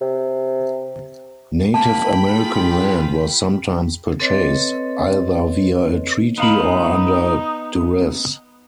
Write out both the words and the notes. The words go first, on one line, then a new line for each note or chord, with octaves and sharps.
Native American land was sometimes purchased, either via a treaty or under duress.
C3
A#3 G5 A5 B5
F4 G#4
C4 A4 B4 C#5 D#5
B3 D#4 F5 B5